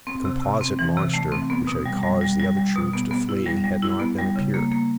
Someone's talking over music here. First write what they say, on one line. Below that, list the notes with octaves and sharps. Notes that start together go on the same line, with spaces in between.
The composite monster which had caused the other troops to flee had not then appeared.
C4
C3
C3
C4
E3
C3
A3
C4
B3
B2
G3
G3
G3
G3
G3
B2
B3
B3
E4
G3
G3
E4
B3
G3
C#3
A#3
A#3